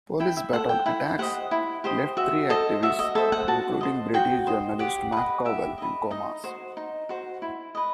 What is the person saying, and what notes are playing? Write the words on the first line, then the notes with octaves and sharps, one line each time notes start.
Police baton attacks left three activists, including British journalist Mark Covell, in comas.
E4 G5
E5
A4 C5 F#5
G5
E4 F#5
G4 C5 D#5 F#5
E4
G4 C5 D#5
F#4 E5
A4 C5 D#5
F#4 E5
D#5
A4 C5 E5
F#5
F#4 A5
C5 D#5
F#4 G5
C5 D#5
G4 F#5
B4 D#5 F#5
G4 E5
B4 D#5
D#4 D#5
F#4 C5
D#4
F#4 C5
E4
B4 D#5